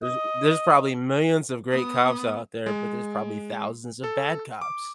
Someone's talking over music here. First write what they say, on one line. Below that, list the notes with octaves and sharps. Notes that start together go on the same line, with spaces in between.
there's there's probably millions of great cops out there, but there's probably thousands of bad cops,
D#5
B3 D#6
G#3
A4
D6